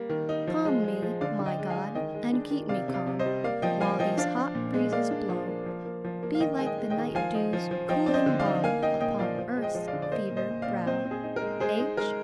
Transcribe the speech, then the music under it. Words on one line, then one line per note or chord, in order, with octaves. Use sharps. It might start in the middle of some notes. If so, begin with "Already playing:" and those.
"Calm me, my God, and keep me calm While these hot breezes blow; Be like the night-dew's cooling balm Upon earth's fevered brow." --H.
Already playing: G3 A#3
D#3
D#4
F3
G#3
G#3
F3
D3 D5 F5
D3
D#5 G5
G#3
F5 G#5
G#3
D#3 D#5 G5
G#3
D4
D#3
C3 D5 F5
C3
D5 F5
C3
C5 D#5
G3
A#3 D5 F5
F3 D#5 G5
F3 F5 G#5
F3 D#5 G5
D4 D5 F5
D4
A#2
G#3
A#3 D5 F5
D4
F3
A#3
F3
A#3
F3
A#3
F5
D#3 D#5 G5
G#3 G#5
D#5 G5
G#3
D#5 G5
D#3
F3 F5 G#5
D#4
F3
F3
F3 D#5 G5
C4 D5
C5 D#5
D3
D5 F5
D#4
A#3 F5 G#5
D#4 D#5 G5
A#2 D#5 G5
F3 D5 F5
F3
G#3
D#5 G5
F3
D5 F5
D3
D5
A#3 C5 D#5
A#2
C5 D#5
A#2
D5 F5
A#2
C4 C5 D#5
C4
G#4
D#4
A#4
G#3
G#3 G#4 C5
D#4
G#3 A#4